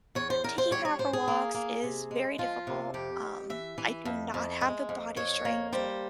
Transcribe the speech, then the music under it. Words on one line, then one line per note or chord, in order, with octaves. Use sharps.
taking her out for walks is very difficult, um, I do not have the body strength
E2 C#5
C5
E2 A#4
C5
G3 C#5
C#5
G#2 C5
G#4
A#3
A#3
C3
G#3
F3 F4
C3
F2 G4
F2
E3 E5
E3
F2
F2
G#3
F2
F2 C#5
A#3
G3 C5